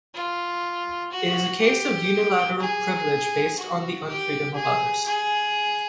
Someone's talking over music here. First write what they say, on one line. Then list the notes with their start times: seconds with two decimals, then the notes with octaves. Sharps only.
It is a case of unilateral privilege based on the unfreedom of others.
0.14 F4
1.12 F#4
1.61 G4
2.60 G#4
3.58 F#4
4.07 G4
4.56 G#4
5.06 G#4